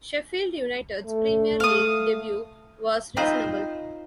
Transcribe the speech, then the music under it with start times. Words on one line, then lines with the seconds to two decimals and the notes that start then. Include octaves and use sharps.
Sheffield United's Premier League debut was reasonable.
1.06 A3
1.60 F5 D#6
3.16 C4 D#4 F4 B4 C5